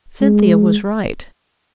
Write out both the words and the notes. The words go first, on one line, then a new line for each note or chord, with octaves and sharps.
Cynthia was right.
G#3